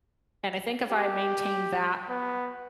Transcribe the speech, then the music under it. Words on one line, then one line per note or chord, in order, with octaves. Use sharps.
And I think if I maintain that,
G4
B3